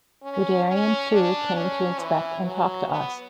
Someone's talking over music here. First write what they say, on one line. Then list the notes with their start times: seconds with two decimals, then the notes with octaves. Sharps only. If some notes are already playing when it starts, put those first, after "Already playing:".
Guderian too came to inspect and talk to us.
0.22 C#4
0.67 C#4
1.11 D4
1.56 C#4
1.99 E3
2.44 F#3
2.88 B3